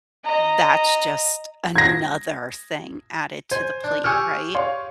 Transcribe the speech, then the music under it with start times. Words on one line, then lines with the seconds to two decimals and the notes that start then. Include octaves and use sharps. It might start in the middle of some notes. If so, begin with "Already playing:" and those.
that's just another thing added to the plate. Right?
0.24 D#5 A#5
1.76 G#6 A#6
3.51 C5 G#5
3.84 D4
4.04 G4 G#4 G#5 C#6 E6 F6
4.55 C#5 F5 C6